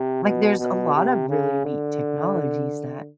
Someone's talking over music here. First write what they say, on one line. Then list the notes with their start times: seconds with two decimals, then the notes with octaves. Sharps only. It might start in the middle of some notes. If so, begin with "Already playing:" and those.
like, there's a lot of really neat technologies that
Already playing: C3
0.24 B2
0.59 B2
0.95 C3
1.30 C#3
1.65 D3